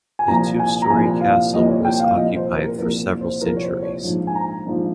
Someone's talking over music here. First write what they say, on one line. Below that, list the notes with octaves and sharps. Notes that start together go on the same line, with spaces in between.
The two story castle was occupied for several centuries.
G#5
C2 A#2 F3 A#5
G#5
A#5
C2 A#2 F3 G#5
F5
C2 A#2 F3 D#5
C#5
G5
F5
C2 A#2 F3 D#5
C5
A#4
C2 A#2 F3 A#4
C5
C2 A#2 F3 A#4
C#5
C5
C#5
A#1 G#2 F3
G#5
A#5
A#1 G#2 F3